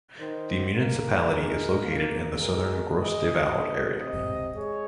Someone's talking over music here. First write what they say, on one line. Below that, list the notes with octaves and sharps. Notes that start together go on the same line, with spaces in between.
The municipality is located in the southern Gros-de-Vaud area.
D#3 C5
A#3 A#4
G#3
A#3
G#3 A#4
G#3 D#5
F#3
C3 D#5
G#3 C#5